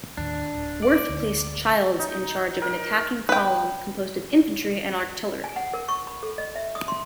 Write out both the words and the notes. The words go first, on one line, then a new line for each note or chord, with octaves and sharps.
Worth placed Childs in charge of an attacking column composed of infantry and artillery.
D#2 A2 D#3 D4
D1
D5
D2
D#4
A#4
B4 G5
G#5
F#5
A#4
C#6
B5
A4
D#5
E5
D#6
C6